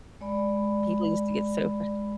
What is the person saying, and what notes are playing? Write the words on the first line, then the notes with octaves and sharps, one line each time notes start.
People used to get so frust
G#3 D5 B5